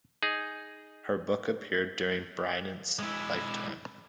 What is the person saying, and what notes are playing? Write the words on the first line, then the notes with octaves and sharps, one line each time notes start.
Her book appeared during Bryant's lifetime.
D#4 G#4
G#3 E4